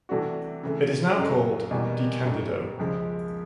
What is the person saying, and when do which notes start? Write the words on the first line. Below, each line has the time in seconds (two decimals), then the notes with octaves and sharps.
It is now called "De Candido".
0.09 C3 E3 A3 D4 F#4
0.63 C#3 E3 A3
1.17 F#2 C#3 F#3 A3
1.71 E2 B2 G3 A#3
2.25 F#2 D3 G3
2.79 C#2 C#3 F3 G#3